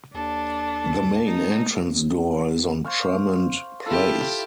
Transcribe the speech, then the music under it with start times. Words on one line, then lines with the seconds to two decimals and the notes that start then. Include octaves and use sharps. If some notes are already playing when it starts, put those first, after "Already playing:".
The main entrance door is on Tremont Place.
0.14 D#2 D4 A4
1.27 D#4
2.85 C5 F5 C#6
3.86 E4 F4 G4 A4